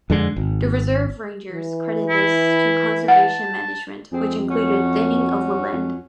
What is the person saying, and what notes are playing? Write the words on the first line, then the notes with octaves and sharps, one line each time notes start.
The reserve rangers credit this to conservation management, which included thinning of woodland.
F2 D3 G#3
G#1
E3
E4
F#5 A5
F2 C4 G#4
F#3 C#4 F#4
F2